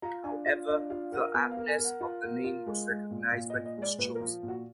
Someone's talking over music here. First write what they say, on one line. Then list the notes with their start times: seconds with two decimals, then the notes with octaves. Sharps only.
However, the aptness of the name was recognized when it was chosen.
0.02 F4 A#5
0.24 D4 G#5
0.46 F4 F5
0.68 D4 D#5
0.90 F4 F5
1.12 A#4 F#5
1.34 B3 G#5
1.51 F5
1.57 A#4
1.68 G#5
1.78 A#4
1.84 F#5
2.00 F4
2.23 A#4
2.44 F4
2.67 G#3
2.89 G#3
3.11 A#2
3.32 A#2 F5
3.50 D#5
3.54 A#2
3.66 D#5
3.77 G#3 D5
3.98 A#2 B4
4.15 A#4
4.20 F3
4.43 A#2
4.48 F#4